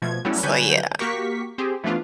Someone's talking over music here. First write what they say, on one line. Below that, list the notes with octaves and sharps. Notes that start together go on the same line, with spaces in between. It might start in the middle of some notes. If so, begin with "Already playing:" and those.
So, yeah.
B2 F3 A3 G#6
F#3 G3 A3 B3 C#4 E4
D3 F#3 G3 B4 G#5 G6
A#3 F#4 G4 A#4 C#6 B6
C4 G4 G#4
E3 F3 A3 B3 D4 F4